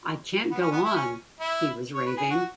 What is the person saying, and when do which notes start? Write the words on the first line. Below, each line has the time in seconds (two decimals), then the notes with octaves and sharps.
"I can't go on," he was raving.
0.51 B3
0.61 C#4
0.71 B3
0.84 E4
0.95 C#4
1.40 E4
1.94 C#5
2.06 B4
2.17 G#4
2.30 F#4